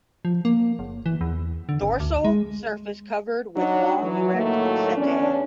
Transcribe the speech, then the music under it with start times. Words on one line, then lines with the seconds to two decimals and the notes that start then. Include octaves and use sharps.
Dorsal surface covered with long erect setae.
0.25 F3
0.45 A#3
0.79 F#1
1.06 E3
1.21 E2
1.69 D3
1.82 G#1
2.00 D2
2.25 G#3
3.56 F#3 D4 D#4
4.01 E3 F#3
4.34 A2 D#3 F#3 A3 A#3
4.96 E2 C#4 D4